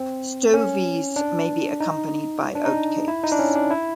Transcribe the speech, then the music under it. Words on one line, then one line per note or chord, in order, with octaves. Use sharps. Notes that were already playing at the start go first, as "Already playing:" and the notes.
Stovies may be accompanied by oatcakes.
Already playing: C4
C#4
D4
D#4
D4
D#4
E4
D#4
D4
C#4
D4
E4